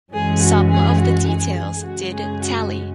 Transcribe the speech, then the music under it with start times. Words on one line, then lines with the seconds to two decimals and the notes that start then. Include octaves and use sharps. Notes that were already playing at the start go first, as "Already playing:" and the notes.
Some of the details did tally.
0.12 F#2 E3 G#3 C#4 G#4
0.41 F#4
0.70 G#4
0.99 F#4
1.27 G#4
1.56 G#4
1.84 F#2 C#3 G#3 C#4 F#4
2.13 G#4
2.41 F#4